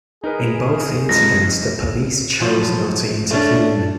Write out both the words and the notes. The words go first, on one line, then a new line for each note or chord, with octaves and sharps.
In both incidents the police chose not to intervene.
D#4 G#4 A#4 B4
F2 G#3 D#4 A#6
G#2 F3 F#3
A3 C#4 D4